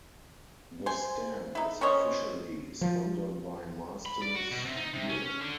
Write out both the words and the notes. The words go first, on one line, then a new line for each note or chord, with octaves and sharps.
The stand is officially sponsored by Marston's beer.
C5 G#5
D#4 E4
C#4 C5 C#5 D#5
F3
B5
D5
F#4
B2
C3
D#4
C3
C#4
D3